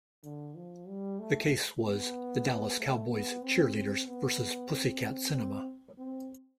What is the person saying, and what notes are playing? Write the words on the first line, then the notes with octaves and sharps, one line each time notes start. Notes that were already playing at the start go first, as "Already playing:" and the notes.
The case was "The Dallas Cowboys Cheerleaders versus Pussycat Cinema".
D3
F3
G3
A3
B3
A3
B3
C4
C4
B3
C4
C4
C4